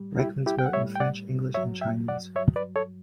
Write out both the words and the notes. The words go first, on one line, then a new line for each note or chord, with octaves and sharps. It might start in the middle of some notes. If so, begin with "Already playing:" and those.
Ryckmans wrote in French, English and Chinese.
Already playing: A2 G3
E4 G4
E4 G4
G5
F#5
A2 G3 C#5 E5
G5
D5 F#5
G2 F#3 C#5 E5
E5 G5
D5 F#5
G2 F#3 C#5 E5
B4 D5
A4 C#5